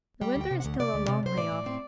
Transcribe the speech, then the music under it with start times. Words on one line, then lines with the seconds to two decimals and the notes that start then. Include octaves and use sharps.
The Winter is still a long way off.
0.21 G3 G5
0.36 D2
0.41 G5
0.51 C3
0.60 D2 F#5
0.79 C3 D5
0.94 D2
1.08 C3
1.23 C3 C5
1.37 A2 D5
1.52 A2
1.66 C4